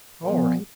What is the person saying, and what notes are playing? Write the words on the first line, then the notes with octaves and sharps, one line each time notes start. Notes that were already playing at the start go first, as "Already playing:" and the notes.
'All right.
A#2 F3 B3